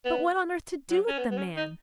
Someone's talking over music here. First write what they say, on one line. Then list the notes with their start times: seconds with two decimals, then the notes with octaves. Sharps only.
But what on earth to do with the man?
0.05 B3
0.90 F#3
1.08 C#4
1.18 B3
1.31 B3
1.38 C#4
1.57 D#4